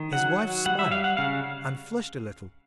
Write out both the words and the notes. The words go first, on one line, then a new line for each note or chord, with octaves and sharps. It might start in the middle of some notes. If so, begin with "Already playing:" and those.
His wife smiled, and flushed a little.
Already playing: D#3
F#3 F#5
F#3
G3 F#5
E5
G3 F5
F#5
C#3 F5